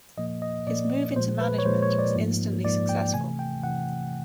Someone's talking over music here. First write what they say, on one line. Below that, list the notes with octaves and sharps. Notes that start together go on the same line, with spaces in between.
His move into management was instantly successful.
A#2 F3 A#3 D#5
D#5
A#2 F3 A#3 D5
A#2 F3 G#3 C5
B4
C#5
A#2 F3 G#3 C5
C#5
D5
G#2 F3 A#3
G#2 F3 A#3 D5
G5
C3 E3 A3 G#5
G5
C3 E3 F#5